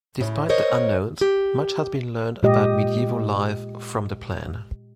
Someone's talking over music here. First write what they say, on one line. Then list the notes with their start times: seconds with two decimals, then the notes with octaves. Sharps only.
Despite the unknowns, much has been learned about medieval life from the Plan.
0.20 A2 C#3
0.49 A#4 C5 C#5 D#5
1.21 G4
2.43 A#2 G#3 G4 D#5